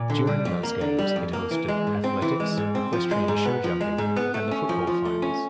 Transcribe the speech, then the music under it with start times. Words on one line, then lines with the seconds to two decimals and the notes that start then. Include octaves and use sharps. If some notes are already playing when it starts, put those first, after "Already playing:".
During those games, it hosted athletics, equestrian show jumping, and the football finals.
Already playing: A#2
0.10 D3
0.27 G3
0.45 F2
0.63 A#3
0.81 D3
0.99 G3
1.16 F2
1.33 A#3
1.51 E3
1.68 G#3
1.87 G#2
2.04 C4
2.22 E3
2.40 G#3
2.57 G#2
2.75 C4
2.93 F3
3.11 G#3
3.28 G#2
3.45 B3
3.64 F3
3.81 G#3
3.98 G#2
4.16 B3
4.34 A3
4.51 C#4
4.69 F3
4.87 F3
5.05 A3
5.22 C#4